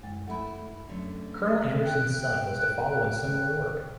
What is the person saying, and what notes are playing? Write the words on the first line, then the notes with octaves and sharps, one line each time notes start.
Colonel Anderson's son was to follow in similar work.
F#2 G#3
A3 E4 F#5 B5
F#2 D3 A3
G5 F#6